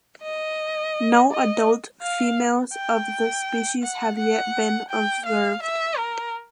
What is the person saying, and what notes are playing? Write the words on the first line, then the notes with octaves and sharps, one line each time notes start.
No adult females of the species have yet been observed.
D#5
D#5
F5
G5
F#5
F#5
G5
F5
E5
A#4